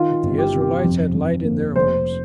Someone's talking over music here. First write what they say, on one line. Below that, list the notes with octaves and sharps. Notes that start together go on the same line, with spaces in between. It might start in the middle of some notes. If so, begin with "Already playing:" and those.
But the Israelites had light in their homes.
Already playing: D#3 F4
G1
G4
C3
G4
F2
F2
A#3
F1 C5